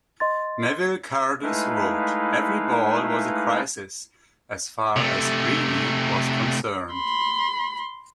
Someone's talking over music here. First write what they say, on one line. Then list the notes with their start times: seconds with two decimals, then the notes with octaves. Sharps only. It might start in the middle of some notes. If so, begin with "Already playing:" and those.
Neville Cardus wrote "Every ball was a crisis as far as Brealey was concerned".
0.20 D#5 C6 A6
1.43 G#3 A3 D#4 E4 B4 F5
4.96 C3 A3
6.93 B5 C6